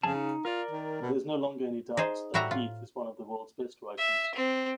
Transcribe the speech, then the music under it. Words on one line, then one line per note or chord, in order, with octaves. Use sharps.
There's no longer any doubt that Heath is one of the world's best writers.
F2 C#3 G#4 A5
D#4
F4 A#4 D5
D#3
B2
D#4 G#4 C5
A2 G3 F#4 E5 A#5
F4
E5
C4